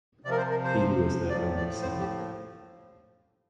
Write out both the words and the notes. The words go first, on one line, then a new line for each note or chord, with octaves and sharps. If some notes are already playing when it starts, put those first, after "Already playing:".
He was their only son.
C3 F3 A#4 D5
C5
A#4
C5
A2 F3 D5
D5
C5
G4
A#3